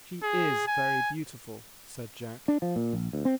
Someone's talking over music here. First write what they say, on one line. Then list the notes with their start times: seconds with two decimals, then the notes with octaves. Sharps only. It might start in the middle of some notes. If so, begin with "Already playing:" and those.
"She is very beautiful," said Jack.
0.23 G#4
0.67 G#5
2.48 D4
2.62 F3
2.76 A#2
2.93 A#1
3.13 D2
3.25 C4